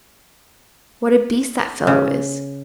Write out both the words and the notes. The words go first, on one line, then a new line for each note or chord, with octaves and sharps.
'What a beast that fellow is.
C#3